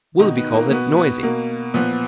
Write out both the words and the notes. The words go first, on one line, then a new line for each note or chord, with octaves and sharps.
Willeby calls it noisy!
B2 D#3 D#4
B3
A#3
B2 B3
B3
B2 A#3
A#2 F3 B3